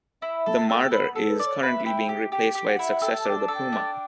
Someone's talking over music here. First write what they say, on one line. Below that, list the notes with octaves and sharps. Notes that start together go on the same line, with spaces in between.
The Marder is currently being replaced by its successor, the Puma.
E4 E5
A4 A5
A4 G5
B3 B5
A4
B4
D5
C#5
B4 E5 F#5
E4 G5
G4
G4 G5
G4
F#5
E4
A4 G5
A5
D4 G5
A5
A4
G5
D4